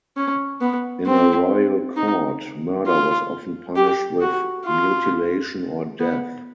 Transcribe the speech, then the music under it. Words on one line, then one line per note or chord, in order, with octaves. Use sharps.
In a royal court, murder was often punished with mutilation or death.
C#4
B3
C4
D#4
F4
G4
F#4
F4
B3